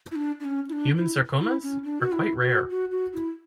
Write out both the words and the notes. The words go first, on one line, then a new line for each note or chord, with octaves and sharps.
Human sarcomas are quite rare.
E4
D4
D4
C#4
E4
D4
E4
E4
C#4
D4
F#4
E4
F#4
F#4
F#4
E4